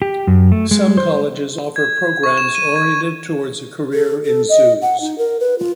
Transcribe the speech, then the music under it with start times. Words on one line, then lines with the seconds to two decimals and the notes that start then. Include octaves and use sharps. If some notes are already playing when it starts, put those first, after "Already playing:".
Some colleges offer programs oriented towards a career in zoos.
0.02 G4
0.27 F#2
0.52 A3
0.71 G#3
0.97 C5
1.76 G#6
2.23 C#6
2.38 E7
2.55 D#7
2.76 G#6
3.93 A4
4.25 A4
4.49 D#5
4.82 F#5
5.01 D#4
5.18 A#4
5.40 B4
5.59 F4